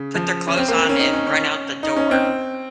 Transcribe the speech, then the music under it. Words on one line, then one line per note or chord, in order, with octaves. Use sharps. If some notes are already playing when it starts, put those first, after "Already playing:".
put their clothes on, and run out the door,
Already playing: C#3
F3
C#4
C4
A#3
C4
C#4
D#4
C#4
C#4
D#4
C#4
C4